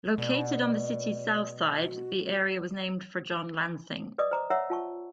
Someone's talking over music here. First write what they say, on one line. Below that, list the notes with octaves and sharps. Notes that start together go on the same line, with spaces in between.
Located on the city's south side, the area was named for John Lansing.
B2 D5
F#4
B4 D5 D#5 D6 D#6
C5 A#5 D6
C#5 E5 F#5 A#5 E6
F4 A5 C#6